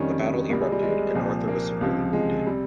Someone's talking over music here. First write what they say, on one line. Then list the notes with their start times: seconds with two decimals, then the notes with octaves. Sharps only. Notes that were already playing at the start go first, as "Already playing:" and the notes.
A battle erupted, and Arthur was severely wounded.
Already playing: F2 D#3 G3 C#4
0.49 C2 C3 G3 A#3
0.61 G#3
0.72 G3
0.83 G#3
1.15 C2 A#2 F3
1.48 A#3
1.81 C#2 C3 F3
2.13 G#3
2.47 C3 G3